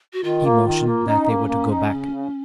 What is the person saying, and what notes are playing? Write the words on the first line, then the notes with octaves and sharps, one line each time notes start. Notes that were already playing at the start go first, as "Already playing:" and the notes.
He motioned that they were to go back.
F#4
D#3 F4
A#3
D#3
A#3
C#4 D#4
A#3
A#3
D#4
C#3
C#3